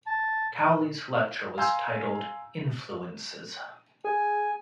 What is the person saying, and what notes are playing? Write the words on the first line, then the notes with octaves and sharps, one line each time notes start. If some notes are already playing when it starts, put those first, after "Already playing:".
Cowley's lecture was titled "Influences".
A5
F5 G#5 A#5 C6 E6 G6
G#4 G#5